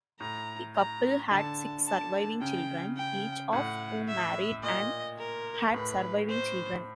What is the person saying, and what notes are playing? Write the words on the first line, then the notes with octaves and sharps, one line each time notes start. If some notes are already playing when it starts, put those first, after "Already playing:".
The couple had six surviving children, each of whom married and had surviving children.
A2 A#5
A#5
D3 A5
A5
C#3 G5
G5
A2 F#5
E5
A#2 D#5
A#4
A2 B4
C5